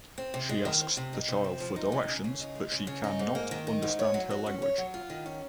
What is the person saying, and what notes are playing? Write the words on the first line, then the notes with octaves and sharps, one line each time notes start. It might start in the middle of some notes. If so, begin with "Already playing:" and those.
She asks the child for directions but she can not understand her language.
C4
C3
G#3
D#3
C4
C3
D#4
C3
C4
F3
D#4
C3
C#3
C#3
D#4
G#3
C#3
C#3
D#4
G#2
A#3
D#3
D#4
G#2
C#5
F#3
F#4
C#4
C#5
F#3
F4
D#3
C#4